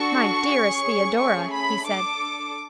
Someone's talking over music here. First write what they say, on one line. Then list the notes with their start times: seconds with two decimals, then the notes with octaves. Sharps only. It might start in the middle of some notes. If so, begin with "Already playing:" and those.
"My dearest Theodora," he said.
Already playing: D4 F#4 A4 C#6
0.49 C#4 G#4
1.17 A3 C#4 G#4 C#6
1.52 B5
1.86 D4 A4 D6